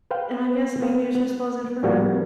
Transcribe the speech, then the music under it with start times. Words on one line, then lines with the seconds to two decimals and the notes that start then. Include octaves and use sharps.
and I guess maybe it just wasn't for her.
0.11 B4 C5 F5 G5
0.82 A#3 C4
1.15 B3
1.83 A2 F3 G3 A#3 F#4